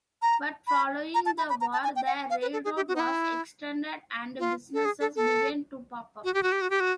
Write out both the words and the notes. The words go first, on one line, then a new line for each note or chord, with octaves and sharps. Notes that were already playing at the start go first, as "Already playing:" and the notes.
But, following the war, the railroad was extended and businesses began to pop up.
A#5
B5
A#5
A5
B5
B5
A#5
A5
G#5
G5
F#5
F5
B4
A4
G#4
G4
F#4
D#4
E4
F4
A4
G#4
A4
A4
F#4
G4
F#4
G4
F#4
G4
F#4